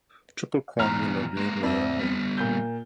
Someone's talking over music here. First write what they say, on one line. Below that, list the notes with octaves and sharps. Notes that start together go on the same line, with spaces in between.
Triple Crown winner Whirlaway.
E2 A#2 A#5 F6 F7
G#3 A#3
F2 D5 E5
G3 B3
A#2 G6